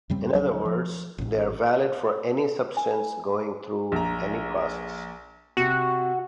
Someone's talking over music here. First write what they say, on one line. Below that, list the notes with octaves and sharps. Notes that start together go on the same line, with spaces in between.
In other words, they are valid for any substance going through any process.
F#2 C#3 G3 C4
D2 F#3 A#3 D4
F3
A1 A2
G#5
A#1 A#5
C3 F#4